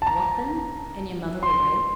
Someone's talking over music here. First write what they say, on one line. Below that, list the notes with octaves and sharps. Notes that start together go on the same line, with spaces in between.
'What then? and yo'r mother away.
A5
A#5
C6